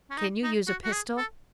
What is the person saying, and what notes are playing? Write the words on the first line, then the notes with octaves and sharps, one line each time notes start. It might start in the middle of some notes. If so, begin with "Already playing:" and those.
"Can you use a pistol?"
C#4
D#4
D#4
F#4
F#4
G#4
A4